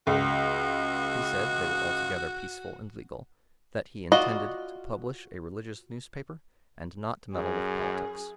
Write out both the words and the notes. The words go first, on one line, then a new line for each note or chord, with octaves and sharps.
He said they were altogether peaceful and legal; that he intended to publish a religious newspaper and not to meddle with politics.
C#2 F#4
F4 F#4 D5 D#5 F5
F#2 G#4